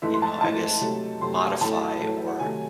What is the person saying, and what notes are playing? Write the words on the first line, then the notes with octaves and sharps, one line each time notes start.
you know, I guess, modify, or,
G#2 E3 A3 E5
C6
A5
G#2 E3 A3 A5
C3 F#3 A3
C3 F#3 A3 C6
C6
A2 F#3 A3 A5
A2 F#3 A3
E5
F#5
C3 D#3 F#3 A3 G#5